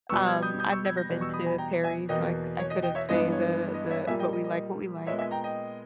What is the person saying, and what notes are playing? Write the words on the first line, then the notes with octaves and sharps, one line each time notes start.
Um, I've never been to Paris, so I I couldn't say the the but, we like what we like
B2 G3 B3 C#6 E6
E6 G#6
D#6 G6
D#6 G6
C#6 E6
E6 G#6
G6 A#6
E2 B2 G3 B3
C#6 E6
B5 D#6
G#5 B5
G5 A#5
E5 G#5
E2 B2 A#3 D#5 G5
C#5
D#5
D#5 G5
C#5 E5
G2 E3 G#3 B3 D#5
C#5
D#5
C#5 E5
A#2 G3 A#3 E5 G#5
D#5 G5
D#5
D#5
A#2 G#3 B3 C#5 E5
E5 G#5
G5 A#5
D#5 G5